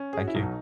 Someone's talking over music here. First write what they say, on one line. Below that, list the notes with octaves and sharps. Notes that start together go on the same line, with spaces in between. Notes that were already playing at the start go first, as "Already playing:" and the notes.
Thank you.
Already playing: C#4
G#4
F#4
E4
B1 B2 F#3 D#4